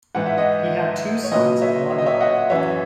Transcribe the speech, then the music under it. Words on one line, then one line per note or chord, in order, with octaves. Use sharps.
He had two sons and one daughter.
G#2 E3 F#5
E5
D#5 F#5
C#5
A#2 F#3 B4 D#5
C#5 E5
E5
D#5
C#5 E5
D#5 F#5
F#2 E3 C#5 E5